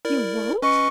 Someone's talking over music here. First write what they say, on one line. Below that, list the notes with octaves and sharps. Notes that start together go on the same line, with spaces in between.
"You won't!"
E4 A#4 D5
C#4 B4 D#5 C#6